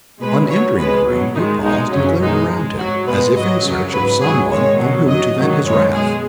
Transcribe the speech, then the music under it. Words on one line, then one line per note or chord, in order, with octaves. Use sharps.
On entering the room, he paused and glared around him, as if in search of some one on whom to vent his wrath.
B2 G#3 B4
B2 F#3 C#5
B2 G#3 B4
B2 F#3
G#2 D#3 G#3 D#4
B2 G#3 D#4
F#2 C#3 F#3 C#4
B2 G#3 D#4
G#2 G#3
G#2 F#3 F#4
B2 G#3 B4
G#2 F#3 D#5
F#2 C#3 F#3
F#3 B4
G#2
G#2 F#3 G#4
G#2 D#3 G#3 C#5
B2 F#3
F#2 F#3 D#5
G#2 D#3 F#3
F#2 D#3 G#3 C#5
B2 G#3 G#4